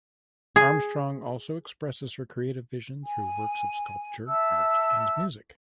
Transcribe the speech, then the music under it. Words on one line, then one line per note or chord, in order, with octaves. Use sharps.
Armstrong also expresses her creative vision through works of sculpture, art, and music.
G#4
G#5
E5 A5 E6